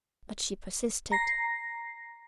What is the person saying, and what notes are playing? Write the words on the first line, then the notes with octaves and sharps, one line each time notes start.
But she persisted.
A#5 A#6 C7